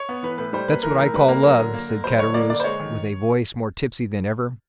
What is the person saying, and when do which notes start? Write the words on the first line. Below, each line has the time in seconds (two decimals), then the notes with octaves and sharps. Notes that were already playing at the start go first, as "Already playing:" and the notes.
"That's what I call love!" said Caderousse with a voice more tipsy than ever.
Already playing: C#5
0.09 B3
0.23 E3 B4
0.38 A2 B4
0.53 G3 C5
0.68 A#3 B4
0.83 E3 A#4
0.99 A2 A#4
1.14 G3 B4
1.28 A#3 A#4
1.43 F#3 A#4
1.59 D3
1.74 A#3
1.89 D3
2.04 F#3 C5
2.19 D3 C#5
2.34 A#3 D5
2.50 D3 D5
2.60 C5
2.64 G#3 C#5
2.80 D#3